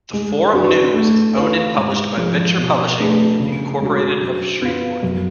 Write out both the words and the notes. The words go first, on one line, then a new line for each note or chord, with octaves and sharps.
"The Forum News" is owned and published by Venture Publishing, Incorporated of Shreveport.
G#3
D4 F#4 B4
A3
F4 B4
G#2
F3 G#3
B2
A3 D4 G#4 B4
C#3
G#3 D4 F#4
F#3
B3 F4
F#2